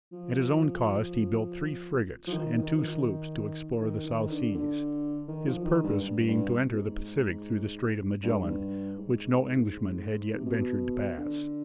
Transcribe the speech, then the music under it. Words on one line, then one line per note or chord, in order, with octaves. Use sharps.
At his own cost he built three frigates and two sloops to explore the South Seas, his purpose being to enter the Pacific through the Strait of Magellan, which no Englishman had yet ventured to pass.
F3
F3
D#3
D#3
F3
D#3
D#3
D#3
D3
D3
D#3
F3
D#3
G2
G2
G2
B2
G#2
G2
G#2
G2
G#2
G#2
C3
B2
D3